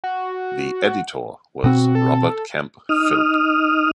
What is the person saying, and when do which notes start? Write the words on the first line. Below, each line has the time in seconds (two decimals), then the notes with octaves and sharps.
The editor was Robert Kemp Philp.
0.04 F#4
1.64 B2 C4 F#4
1.95 A4
2.89 D#4 D#6 F6